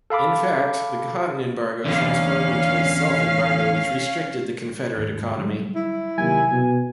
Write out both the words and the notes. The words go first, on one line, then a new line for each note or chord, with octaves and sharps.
In fact, the cotton embargo transformed into a self-embargo which restricted the Confederate economy.
A4 F5 B5 D6
E2 D3 C#4 F5
D#1 D#2 G#2
D3 F#3 G3
E4
D#2 C3 F#3 G#5
B2